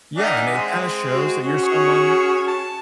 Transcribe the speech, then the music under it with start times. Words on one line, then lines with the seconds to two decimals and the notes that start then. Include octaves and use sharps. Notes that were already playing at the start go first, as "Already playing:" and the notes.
Yeah, and it kinda shows that you're someone
0.17 D#3 D4 D#4 E5 F#5 G#5
0.53 G#3 C4
1.13 F#4
1.42 C#4 F#4
1.63 G#4 C#5
2.47 A5